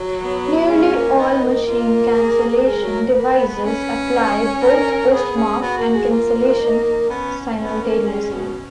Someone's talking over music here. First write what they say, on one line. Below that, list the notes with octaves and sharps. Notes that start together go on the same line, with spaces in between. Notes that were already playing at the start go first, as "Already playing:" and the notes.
Nearly all machine-cancellation devices apply both postmark and cancellation simultaneously.
Already playing: F#3
B3
G#3 C#4
A#3
B3 D#4
A#3
F4
G#4
G#3 A#4
F#3
A#3 B4
B3
B3
C#4
C#5
A#4
B3 G#4
C#4
B3 F#4
A#3
G#3
A#3 F4
D#4
B3 C#4
B3 C#4
A#3
G#3
B2